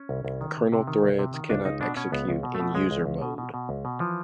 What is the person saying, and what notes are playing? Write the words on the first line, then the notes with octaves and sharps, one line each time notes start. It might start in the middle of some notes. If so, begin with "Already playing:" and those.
Kernel threads cannot execute in user mode.
Already playing: C#4
C2
C2
D#3
C3
C3
D#3
C2
C3
D#3
C#2 D4
C#2 D#4
B2 D4
B2 C#4
C#2 B3
C#2
B2
B2 A3
C#2 G#3
C#2
C#2
B2
B2
B2
C#2
B2
E3 F3